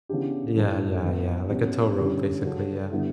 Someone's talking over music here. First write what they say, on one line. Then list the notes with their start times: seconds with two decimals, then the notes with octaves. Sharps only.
Yeah, yeah, yeah, like a tow rope, basically, yeah.
0.09 C#3 E3 B3 D4 G4
0.56 A2 E3 G3 D4 A4
1.03 E3 B3 E4
1.50 B2 F#3 C#4 G4
1.97 D3 G3 C#4 E4 G4
2.44 C#3 F#3 C#4 F#4 A4
2.91 D3 G3 B3 E4